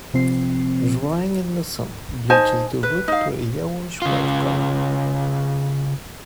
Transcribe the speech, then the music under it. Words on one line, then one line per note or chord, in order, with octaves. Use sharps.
Drying in the sun bleaches the root to a yellowish-white color.
C3 F3 C4 C7
D#4 C5 G#5 A5
B4
D#4 F5
C#3 F4